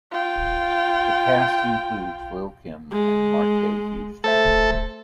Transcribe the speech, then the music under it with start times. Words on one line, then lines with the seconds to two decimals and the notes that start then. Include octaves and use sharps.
The cast included Lil' Kim and Marques Houston.
0.11 F4 G5
2.91 G#3
4.24 A3 A4 C5 E5